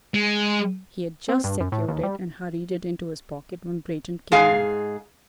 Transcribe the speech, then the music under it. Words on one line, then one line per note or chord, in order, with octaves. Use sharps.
He had just secured it and hurried it into his pocket when Breton came back.
G#3
C4
G2
F#2
A2
D#2
G3
G#2 G#4 F5